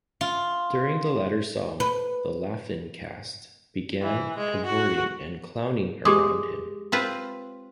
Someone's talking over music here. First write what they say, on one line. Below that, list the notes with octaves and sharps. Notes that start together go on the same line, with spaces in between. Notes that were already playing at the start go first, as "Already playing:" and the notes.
During the latter song the "Laugh-In" cast began cavorting and clowning around him.
F4
B4
E3
G#3
F#4
G#3 G4 D6 D#6
C4 F4 B4